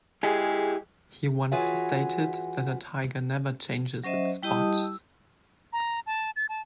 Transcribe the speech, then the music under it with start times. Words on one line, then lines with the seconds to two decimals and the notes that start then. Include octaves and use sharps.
He once stated that a tiger never changes its spots.
0.23 G#3 E4 G4 G#4
1.52 E3 F4 F#4 G#4 C#5 E5
4.04 F#3 C#4 C5 D#5 E5
4.43 G3 E4 G4 D#5 A5 D#6
4.83 E6
5.73 A#5
6.06 A5
6.36 A6
6.49 A5